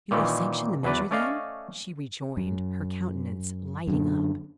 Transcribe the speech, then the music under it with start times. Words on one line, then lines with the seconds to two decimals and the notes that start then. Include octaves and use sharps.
"You will sanction the measure then?" she rejoined, her countenance lighting up.
0.11 A#2 D#3 E3 C#4
0.83 E2 F#3 B4 D5
1.11 A3 C#4 D5 D#5 F5
2.37 F#2
3.87 F#2 D3